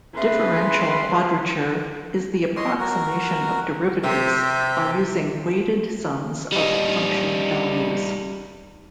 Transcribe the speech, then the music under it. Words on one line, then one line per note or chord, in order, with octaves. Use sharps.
Differential quadrature is the approximation of derivatives by using weighted sums of function values.
C#3 B4 E5 C6
C#5 D#5 C6
F#4 A#4
C3 C4 G4 E5
G3 D#4